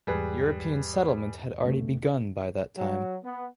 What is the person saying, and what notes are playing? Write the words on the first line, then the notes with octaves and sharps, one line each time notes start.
European settlement had already begun by that time.
E2 G#2 G3 G#4 B4
G2 C#3 A3
F#3
B3